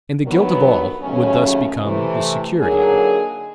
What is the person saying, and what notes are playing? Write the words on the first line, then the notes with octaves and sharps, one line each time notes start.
And the guilt of all would thus become the security of all.
G2 D#3 F#3 B3
D#2 C#3 F#3 A3 C#4
C3 E3 A3
D3 F#3 A#3 D#4 G#4